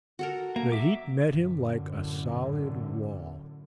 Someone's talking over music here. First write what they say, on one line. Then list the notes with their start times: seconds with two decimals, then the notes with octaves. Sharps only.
The heat met him like a solid wall.
0.19 F#4 A4 A#4
0.56 A#3 A#5
0.72 E5 D6
1.26 F#2 A2 D3